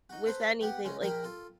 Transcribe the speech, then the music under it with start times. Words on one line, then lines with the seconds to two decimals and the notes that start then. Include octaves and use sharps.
with anything like,
0.10 D#4 F#4
0.26 A4 B4 C5 A#5
0.61 B3 G4 F#5
0.85 C#2 G#3 C#4
1.01 A#1 A#3 A#4 G5 B5 D#6
1.24 F4 A4